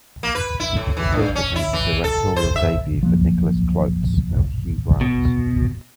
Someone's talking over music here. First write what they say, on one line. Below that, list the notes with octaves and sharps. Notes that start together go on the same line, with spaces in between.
The film became the directorial debut for Nicolas Klotz and Hugh Grant.
A#3
B4
E4
A2
E3
G2
C#4
E4
E3
A4
C5
E5
F3 F#3 A#3
B2